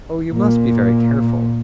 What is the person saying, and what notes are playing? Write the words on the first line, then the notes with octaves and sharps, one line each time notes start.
'Oh! you must be very careful.
A#2